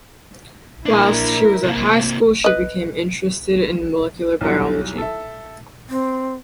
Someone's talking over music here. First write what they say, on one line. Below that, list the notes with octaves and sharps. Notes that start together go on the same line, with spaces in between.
Whilst she was at high school she became interested in molecular biology.
A#2 D4 E4 A#4
C3 A#3
B4 D#5
B1 E2 F#3 G3
A4 E5
C4